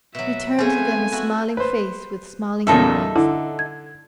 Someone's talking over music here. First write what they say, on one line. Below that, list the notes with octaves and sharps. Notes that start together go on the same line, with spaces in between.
He turned to them a smiling face with smiling eyes.
B2 F#3 E5
F3 A3 B3 C4 G#4 C5 G#5
E4 F#4
B4 C5
E2 A#2 C#3 D#4 A4 E5
D3 E4
G#6